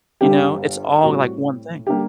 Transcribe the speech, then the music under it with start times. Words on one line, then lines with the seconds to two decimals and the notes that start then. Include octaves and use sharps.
you know, it's all like one thing.
0.21 G1 G2 D3 G3 G4
1.03 A2 G3 C4 F#4
1.87 D3 G3 A#3 G4